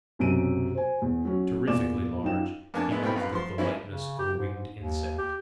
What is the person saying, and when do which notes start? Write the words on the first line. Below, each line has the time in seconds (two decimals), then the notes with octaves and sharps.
Terrifically large, he moved with the lightness of a winged insect.
0.19 B1 F#2 C3 D7 D#7
0.74 C5 G#5
1.02 E2
1.25 F#3 C#4
1.67 E2 A#2 D5 D6 E7
2.23 F#2 D#4 F4 G5 E7
2.74 F2 A#3 D4 G#5 A5
2.91 G#3 B3 E4
3.02 B2 A3 C4 A#4 G5 B5
3.16 F#2 B4 F5
3.32 F3 C6
3.58 E3 F3 A#3 C4 C#4 E4
3.87 C#3
4.19 G4
4.38 G#2
4.52 G#2
4.76 D#2
5.18 G4